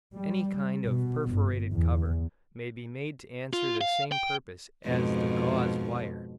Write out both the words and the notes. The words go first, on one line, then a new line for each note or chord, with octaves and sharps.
Any kind of perforated cover may be made to answer the same purpose as the gauze wire.
G3
B2
G1
E2
F4
F5
G5
F2 G#2 B2